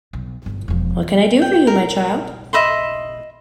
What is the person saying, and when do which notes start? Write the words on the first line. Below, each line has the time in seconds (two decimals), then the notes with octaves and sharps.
What can I do for you, my child?
0.13 B1
0.46 G1
0.68 E1 F3
1.42 G5
1.67 A#4
2.53 D#5 E5 B5 C6